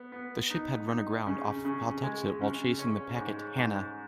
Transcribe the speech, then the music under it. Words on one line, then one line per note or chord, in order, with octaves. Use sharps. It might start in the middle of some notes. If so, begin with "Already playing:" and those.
The ship had run aground off Pawtuxet while chasing the packet "Hannah".
Already playing: B3
B3
D#4
D#4
C#3
C#3
G#3
C#3
C#4
G#2
G#2